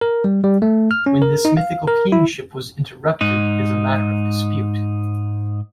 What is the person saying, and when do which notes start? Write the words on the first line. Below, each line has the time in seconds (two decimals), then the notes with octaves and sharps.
When this mythical kingship was interrupted is a matter of dispute.
0.01 A#4
0.24 G3
0.44 G3
0.62 A3
0.91 F6
1.06 C#4
1.22 A#4
1.45 D#4
1.57 F5
1.88 A#4
2.12 E4
3.21 G#2 D#4